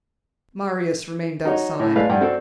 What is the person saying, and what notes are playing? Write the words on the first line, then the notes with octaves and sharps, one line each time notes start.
Marius remained outside.
D#4 F#4 C#5
A2 C#5
G#3 A3 B4 D5 F5
G2 D5 F#5 G5
C4 F#4 A4 D5